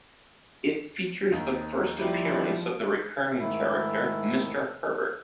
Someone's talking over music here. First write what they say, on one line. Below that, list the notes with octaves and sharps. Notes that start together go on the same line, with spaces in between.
It features the first appearance of the recurring character Mr. Herbert.
D#2
F3 G3 E4
G#2 D#3 A3 E4